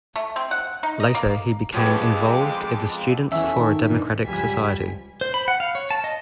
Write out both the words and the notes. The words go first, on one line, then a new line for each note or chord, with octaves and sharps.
Later he became involved in the Students for a Democratic Society.
A3
C4
F#5
D#4
D#5
A#3
F3 G#3 B3 C4 G4 C#5 D6
E2 E3 C#4 E5
A4
D#3
G2 A#2 E3
C#2 G2 F3 G3 G#5 B6
C5
B5
F#5
F5
C#5
A5
D#5